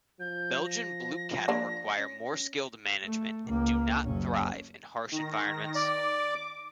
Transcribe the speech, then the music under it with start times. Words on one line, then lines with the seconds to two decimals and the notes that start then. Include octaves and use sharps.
Belgian Blue cattle require more skilled management and do not thrive in harsh environments.
0.20 F3 G6
0.66 A#6
1.48 A#3 D4 F4
1.99 C#4
3.04 A3
3.46 C#2 A#3
4.04 F#1 C#4
5.12 D#3 A#6
5.75 D5 D6